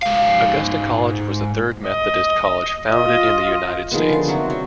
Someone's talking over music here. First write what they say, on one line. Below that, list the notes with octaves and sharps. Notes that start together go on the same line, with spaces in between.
Augusta College was the third Methodist college founded in the United States.
G#2 F5
D#5
F4 D#5
D#3 F3 G#3 B3
D3 F4
C3 F#3 C4 F#4
F#3